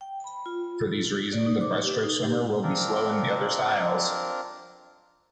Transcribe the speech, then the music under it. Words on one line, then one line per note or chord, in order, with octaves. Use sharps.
For these reason the breaststroke swimmer, will be slow in the other styles.
G5
B5
F4
D5
D#4
D6
G4
D#4
G4
C4 D4 F4 A#4